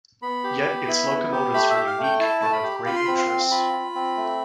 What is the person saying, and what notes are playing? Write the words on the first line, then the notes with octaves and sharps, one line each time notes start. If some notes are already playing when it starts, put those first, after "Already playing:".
Yet its locomotives were unique and of great interest.
B3 B5
G4
B3
E4
B3
G4
A3 B5
E5
G4
F5
A3
G5
E4 A5
A3 A5
B5
G4
F4 B5
C6
C4 B5
C6
C4
F4 B5
F4
C4
A3